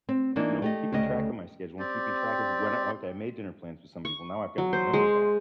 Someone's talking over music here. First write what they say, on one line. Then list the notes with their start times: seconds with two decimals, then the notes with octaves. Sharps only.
you know keeping track of my schedule and keeping track of when I okay, I made dinner plans with somebody, well, now I've got to remember that,
0.09 C4
0.36 E3 A#3 D4 D#4 F4
0.62 A3 G4 D#5
0.92 D2 C#3 A3 G4 D#5
1.79 C4 G4 D5
4.05 C#6
4.58 F#3
4.73 C5
4.93 G#3